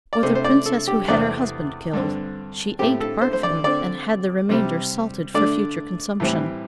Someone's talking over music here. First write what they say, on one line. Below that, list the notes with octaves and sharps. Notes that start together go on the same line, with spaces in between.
Or the princess who had her husband killed; she ate part of him, and had the remainder salted for future consumption.
D5
C3 A3 C4 C5
C5
D5
A4
G4
E2 C3 A3 C4 D5
G2 D3 C4
A2 A3 C4 G4
A4
C5
C5
D5
D3 C4 D5
C3 G3 C4
D3 A3 D4 D5
A2 E3 G3 C4